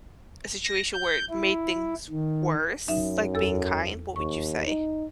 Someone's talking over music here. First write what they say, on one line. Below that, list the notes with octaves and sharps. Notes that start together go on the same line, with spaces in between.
a situation where it made things worse, like being kind, what would you say?
A#6
G6
E4
D#3
F#2 F#3 D#4 E5
E2 A4 E6
D#2 C#6
D#4